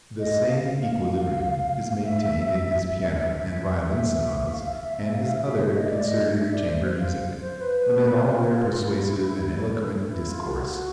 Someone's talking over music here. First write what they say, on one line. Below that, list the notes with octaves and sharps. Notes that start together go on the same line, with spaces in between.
The same equilibrium is maintained in his piano and violin sonatas and his other concerted chamber music, amid all their persuasive and eloquent discourse.
D#5
F5
E5
E5
E5
E5
F5
E5
E5
E5
F5
E5
E5
E5
D#5
D5
D#5
E5
D5
C5
C5
F5
C5
B4
F4
E4
E4
F4
F#4
F#4